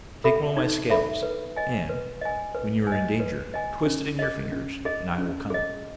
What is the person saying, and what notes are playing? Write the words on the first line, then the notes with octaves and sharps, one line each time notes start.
Take one of my scales, and when you are in danger twist it in your fingers, and I will come!'
A4 E5 B5
D#4
A4 E5 B5
B4
D#5 G#5
B4
D#5 G#5
B4
G#5
D#5
B4
D#5 G#5
C#4
G#4 D#5
C#4
G#4 D#5
C#4
G#4 D#5